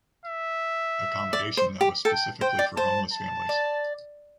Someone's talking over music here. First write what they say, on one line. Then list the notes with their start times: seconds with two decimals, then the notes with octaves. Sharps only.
Accommodation that was specifically for homeless families.
0.25 E5
1.33 D5
1.57 C5
1.81 G4
2.05 A4 G5
2.41 C5 G5
2.59 D5
2.76 C5 A5
3.13 A5
3.49 D5